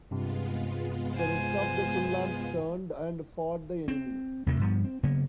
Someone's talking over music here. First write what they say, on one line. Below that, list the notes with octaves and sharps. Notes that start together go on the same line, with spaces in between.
The rest of the Sullans turned and fought the enemy.
G2 C3 G#3 B3 F4
C5 G#5
C4
D#2 C3 D#3 A3
G2 F3 B3
C4
C#3 F#3 A#3 B3